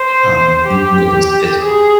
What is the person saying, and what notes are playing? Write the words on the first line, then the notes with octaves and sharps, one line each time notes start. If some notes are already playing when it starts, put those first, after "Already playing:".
um, w when it comes to physical
Already playing: C5
G4
G#4